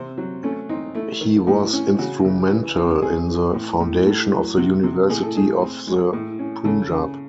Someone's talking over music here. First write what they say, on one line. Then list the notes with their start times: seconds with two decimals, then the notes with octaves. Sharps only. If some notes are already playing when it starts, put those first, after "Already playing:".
He was instrumental in the foundation of the University of the Punjab.
Already playing: C3 C5
0.18 F#3
0.44 A3 C#4
0.69 C4 D#4
0.95 A3 E4
1.21 D#3
1.47 A2
1.73 C#4
1.99 C#3 F#4
2.25 C#3
2.51 E3
2.77 C4
3.02 C4 G#4
3.28 E3
3.54 A2
3.80 A2
4.06 A2 A4
4.31 F#3
4.58 C3 F#4
4.83 C3
5.10 A2 G#4
5.23 A4
5.35 A3 G#4
5.62 C4
5.87 G#3
6.13 A2
6.39 C#4
6.64 C#3 A4
6.91 C#3